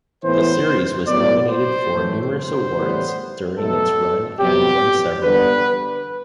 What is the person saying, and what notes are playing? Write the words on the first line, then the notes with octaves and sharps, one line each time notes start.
The series was nominated for numerous awards during its run, and won several.
A2 E3 B3 C5
A2 F#3 B3 D5
C5
A2 E3 A3
C5
A2 E3 G3 B3
B2 F#3 A3 A4
C3 F#3 B3 G4
D3 G3 B3 B4